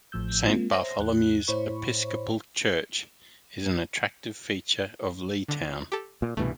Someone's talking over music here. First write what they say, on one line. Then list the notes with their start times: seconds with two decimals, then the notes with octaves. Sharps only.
Saint Bartholomew's Episcopal Church is an attractive feature of Leetown.
0.12 A1 A2 F3 E6 G6
0.48 G#3 A#3 C4 F4
0.72 C5 C#5 E5 A#5 C6 A#6
0.99 E2 F#6
1.48 A2 E4 C5 C#5 B5 C#6
5.48 D3
5.92 G4 A4
6.22 A#2
6.37 C2 G2 B2 E3 A3